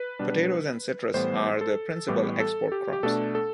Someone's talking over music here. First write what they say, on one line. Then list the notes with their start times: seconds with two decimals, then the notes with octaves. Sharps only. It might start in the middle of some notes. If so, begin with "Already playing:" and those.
Potatoes and citrus are the principal export crops.
Already playing: B4
0.19 B2 G3 D4
1.14 A2 E3 G3 B3 C5
1.61 A4
2.08 A2 E3 G3 B3 G4
2.40 A4
2.72 G4
2.93 G4
3.03 B2 A3 D4 A4
3.35 A4